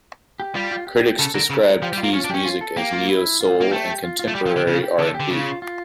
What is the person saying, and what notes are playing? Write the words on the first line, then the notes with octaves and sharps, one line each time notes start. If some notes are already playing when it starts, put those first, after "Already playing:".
Critics described Keys' music as neo soul and contemporary R and B.
G4
G3 F4
F4
G4
C#3 A4
D3 A#4
C#3 A#4
F3 G4
G3
F4
A#3
C#4 F4
D4
C#4 G4
F4
A4
A#3 G4
F4
E4
F4
A#3
A3 G4
G4
F4
F4
A3
G3 G4
F3
G4
D3
C#3 F4
G4
D3 A4
G4
D3
C#3 F4
F4